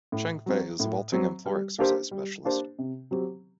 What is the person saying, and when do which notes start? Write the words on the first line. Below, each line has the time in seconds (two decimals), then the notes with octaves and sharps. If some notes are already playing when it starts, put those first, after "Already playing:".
Cheng Fei is a vaulting and floor exercise specialist.
0.12 A2
0.46 F#3 C4
0.80 A2
1.12 F#3 C4
1.46 G3
1.79 A#3 D4 G4 C5
2.11 G3
2.45 A#3 D4 G4 C5
2.79 C3
3.11 F#3 C4 G4